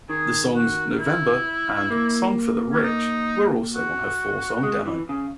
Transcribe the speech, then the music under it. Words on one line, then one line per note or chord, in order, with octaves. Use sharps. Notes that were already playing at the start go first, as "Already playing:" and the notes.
The songs "November" and "Song for the Rich" were also on her four-song demo.
D#3 G#4
F#4
E4
A#3
C#4
D#4
F#4
G#3
E3
C#3